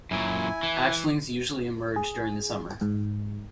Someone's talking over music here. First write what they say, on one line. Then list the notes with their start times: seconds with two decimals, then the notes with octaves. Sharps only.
Hatchlings usually emerge during the summer.
0.11 F#2 A#2 E4 G#5
0.63 E3
1.96 G#4
2.81 G#2